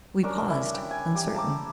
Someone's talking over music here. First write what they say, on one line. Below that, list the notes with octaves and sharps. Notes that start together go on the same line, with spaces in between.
We paused uncertain.
C#4 D4 A#4 D5
E4
G5
G#5
G4
A5 A#5 D6